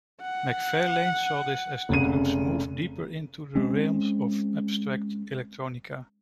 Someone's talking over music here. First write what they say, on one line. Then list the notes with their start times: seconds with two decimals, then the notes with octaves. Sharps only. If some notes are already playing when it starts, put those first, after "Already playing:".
McFarlane saw this as the group's move deeper into the realms of abstract electronica.
0.22 F#5
1.89 F1 C#3 D#7
3.55 G#3 C4 C#4